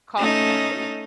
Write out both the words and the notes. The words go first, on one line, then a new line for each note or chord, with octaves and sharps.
Call That's it.
A3 C#4 D#4